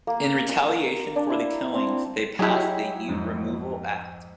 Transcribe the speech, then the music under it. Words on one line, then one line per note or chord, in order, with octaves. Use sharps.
In retaliation for the killings, they passed the Ute Removal Act.
A#3
C6
A#4
D4
E4
C4
F#3 D#4 E4 G4 G#4
F2 G#2